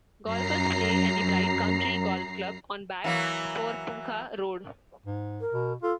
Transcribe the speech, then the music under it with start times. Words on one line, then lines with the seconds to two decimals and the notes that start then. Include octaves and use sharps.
Golfers play at the Bright Country Golf Club on Back Porepunkah Road.
0.24 F#2 A#5 C7
3.04 E3 F#3 A#3
5.06 G#2
5.41 A#4
5.53 B2
5.82 F4 A4